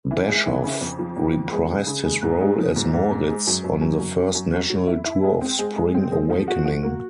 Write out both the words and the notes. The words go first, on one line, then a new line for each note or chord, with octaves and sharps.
Bashoff reprised his role as Moritz on the first National Tour of Spring Awakening.
E3
G#3
E3
C#3
F2
F3
F2
F3
G#3
C#3
C#3
G#3
G#2
G#3
F3
G#2
G#2
G#2
G#3
F#2
F#2
F#2
F#2
F#3
F#2
F#3
F#3
E4
E4
G#3
C4
G#3
G#3
C4
G#3
F3
F#4
F#4
A#3